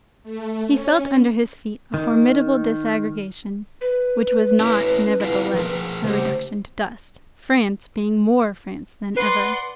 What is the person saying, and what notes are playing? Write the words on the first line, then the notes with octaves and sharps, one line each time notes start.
He felt under his feet a formidable disaggregation, which was not, nevertheless, a reduction to dust, France being more France than ever.
A3
C#4
D#3
B4
C#4 E4
E4 F4 G#4
F3 G#4 A#4
C#3 A3 G4 C5
B4 D5 F#5 C6